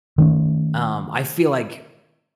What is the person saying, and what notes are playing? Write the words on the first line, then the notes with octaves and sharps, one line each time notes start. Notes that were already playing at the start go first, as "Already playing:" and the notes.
Um, I feel like,
D#3 A3 C#4